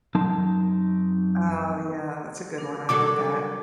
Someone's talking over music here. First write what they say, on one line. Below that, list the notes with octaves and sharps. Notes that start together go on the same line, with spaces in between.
Oh, yeah. That's a good one. I like that.
F#2 F#3 C4 D#4 A#4 A5
D4 A#4
F#3 G3 A4 D6